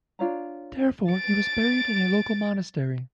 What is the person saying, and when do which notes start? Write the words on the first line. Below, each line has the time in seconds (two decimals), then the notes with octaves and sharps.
Therefore, he was buried in a local monastery.
0.19 D4 F4 C#5 A#5
1.10 A6 D7